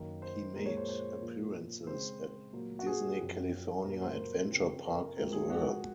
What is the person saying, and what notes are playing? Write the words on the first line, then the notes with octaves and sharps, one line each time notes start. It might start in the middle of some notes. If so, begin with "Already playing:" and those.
He made appearances at Disney California Adventure Park as well.
Already playing: F#2 D#3 A#3
C5
A#2 F3 G#3 A#4
C#5
C5
C5
A#2 F3 A#3
C#3 G#3 C4 C5
A#2 F#3 A#3
F#4
G#4
F#2 F3 C4
A#2 F#3 A#3 A#4
C5
A#4
C#3 F3 C4
A#4
G#2 F3 G#3 C4 A#4
G#4
F#4